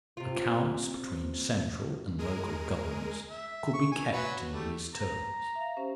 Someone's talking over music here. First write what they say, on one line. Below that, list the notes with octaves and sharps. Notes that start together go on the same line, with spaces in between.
Accounts between central and local governments could be kept in these terms.
C3 F4
G#3 G#4 A#4 D#7
E5
C#6
G#5
F#3 B4
G3 A3
A#5
E5 F5
C#4 G4 C5